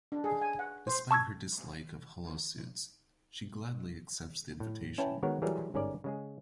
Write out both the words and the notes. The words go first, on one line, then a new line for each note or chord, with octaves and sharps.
Despite her dislike of holosuites, she gladly accepts the invitation.
D4
G#4
G#5
F#5
C5
A5 C#6 E6 G#6
A2
C#4 E4 B4 G5 A5
D#3 G#3 B3 F#4 A#4 C#5
E3 F#3 G3 G#4 A#4
G1 G#2 C#4 A#4 D5
C#3 G#3 G#4